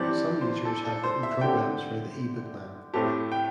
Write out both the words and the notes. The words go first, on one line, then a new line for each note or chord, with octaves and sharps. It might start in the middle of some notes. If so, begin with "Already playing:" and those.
Some users have written programs for the eBookMan.
Already playing: G2 E3 C4 G4 D5
C5
A4
A4
C5
E5
D3 C4 G4 G5
A2 A3 C4 G4 A5
G5